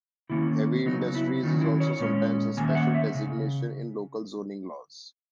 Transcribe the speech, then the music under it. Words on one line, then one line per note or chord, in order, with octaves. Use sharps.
Heavy industry is also sometimes a special designation in local zoning laws.
D#3 A#3 C#4 E4
C#3 F#3 B3 D#4
E4
D#3 F#3 C#4 D#4
E4
C#5
A#2 G#3 C#4
D#3 A#3 C#4 G#5
E5
F#5
E5
C#3